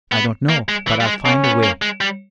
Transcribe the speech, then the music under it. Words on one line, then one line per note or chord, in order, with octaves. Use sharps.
"I don't know, but I'll find a way."
B3
A#3
G#3
E3
G3
G#3
A#3 C#4
B3
A#3
G#3
G3